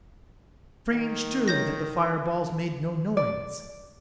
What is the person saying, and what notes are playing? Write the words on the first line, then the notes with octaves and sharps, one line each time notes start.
Strange, too, that the fireballs made no noise.
D#3
C#5 G6 A#6
D5